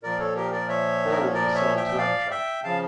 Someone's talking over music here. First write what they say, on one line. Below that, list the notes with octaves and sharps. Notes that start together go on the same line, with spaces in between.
All were sold to Amtrak.
A#2 F3 A#4 D5
A4 C#5
G4 A#4
A#4 D5
C#5 E5
A#4
C#5
A#4 D5
C#5 E5
E5 G5
G5
D5 F5
E5 G5
C#3 F3 F5 A5